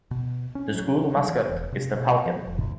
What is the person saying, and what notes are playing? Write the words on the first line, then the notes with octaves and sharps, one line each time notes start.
The school mascot is the Falcon.
B2
C#4
F#3
G3
E3
E1
C3
B2
F3
F1
D2